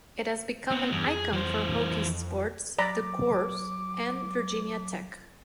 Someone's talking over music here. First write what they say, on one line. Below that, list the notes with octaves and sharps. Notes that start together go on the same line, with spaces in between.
It has become an icon for Hokies sports, the Corps, and Virginia Tech.
B3 C4
E2 G2
F2 G#4
E3 C5
F#3 D5 A#5 B5 D6